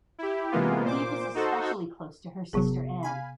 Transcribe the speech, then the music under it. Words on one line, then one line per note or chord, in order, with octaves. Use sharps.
Lee was especially close to her sister Anne.
E4 G4
C3 E3 G#3 A#3 B3 F4
A#2 C5 D6
D#4 F#4 A4 C5
G1 C3 F#3 B3 G#4
F5 G#5 B5